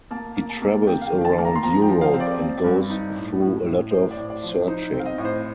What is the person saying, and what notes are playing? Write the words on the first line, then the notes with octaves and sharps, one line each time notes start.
He travels around Europe and goes through a lot of searching.
A#3 A5
A#3
A5
A#3
A#3 G5
F5
G5
D#3
G5
A5
A#3
A#5
C6
F3 A#5
G5
F3
F5
C4
D5
C4
G2
D#4
A2
A2
A2
A2 C5
D5
A2
D5
F3
C5
D#4 C5
C4
F5
D#5
A2
C5